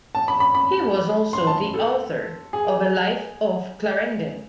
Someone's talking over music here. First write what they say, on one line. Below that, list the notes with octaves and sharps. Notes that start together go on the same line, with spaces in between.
He was also the author of a "Life of Clarendon".
A5
B5
B5
B5
C6
A5
A4
G#4